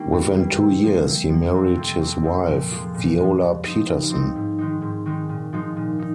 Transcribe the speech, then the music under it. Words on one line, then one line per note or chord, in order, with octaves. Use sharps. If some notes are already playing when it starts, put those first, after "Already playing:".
Within two years, he married his wife, Viola Peterson.
Already playing: D#3 G3 A#3 C#4
G2
G3 A#3
C3
F3 A#3
C3
F3 A#3
F2
C3 F3
F2
C3 F3
A#2
F3 G#3
A#2
F3 G#3
G2
F3 C4 D#4
G2
F3 C4 D#4
G#2
D#3 G#3 D#4
G#2
D#3 G#3 D#4
A#2
F3 G#3 D#4
A#2
D#4